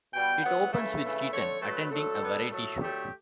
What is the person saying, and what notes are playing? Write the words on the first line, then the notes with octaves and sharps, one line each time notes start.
It opens with Keaton attending a variety show.
B2 G3 B3 G5
A2 F#3 B3 F#5
C#3 E3 A3 E5
C#3 E3 A3
D3 A3 C#5
D3 F#3 A3 B4
D3 F#3 A3 A4
D3 G3 B3
A2 F#3 A3 A4
D3 F#3 A3 G4